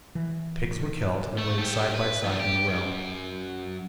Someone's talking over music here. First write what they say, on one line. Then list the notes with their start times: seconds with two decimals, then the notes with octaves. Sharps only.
The pigs were killed, and laid side by side in a row.
0.15 E3
1.38 A3
1.58 G4 A4
1.95 B4
2.25 F3 A3
2.40 G4
2.68 F#2